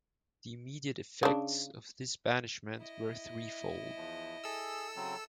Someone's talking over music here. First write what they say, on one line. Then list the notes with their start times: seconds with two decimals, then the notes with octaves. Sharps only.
The immediate effects of this banishment were threefold.
1.23 C#3 D4
2.78 E4 D#5
3.96 E2 F3
4.44 G#4 A4 E6
4.96 C#3 F#3 C4